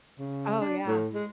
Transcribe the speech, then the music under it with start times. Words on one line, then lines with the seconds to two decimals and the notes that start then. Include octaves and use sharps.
Oh, yeah.
0.19 C#3
0.61 D4
0.87 A2
1.14 G#3